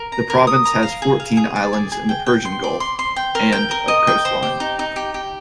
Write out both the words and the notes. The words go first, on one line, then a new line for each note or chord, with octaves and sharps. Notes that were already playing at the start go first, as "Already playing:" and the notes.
The province has fourteen islands in the Persian Gulf and of coastline.
Already playing: A#4
A#5
A#4
D#6
A#5
F5
G#4
F5
G#4
D5
G#4
G#4
G5
G5
C6
D5
C6
C6
G5
A#4
G5
A#4
D#5
G5
C5
G4
D#4
D#4
G4
G4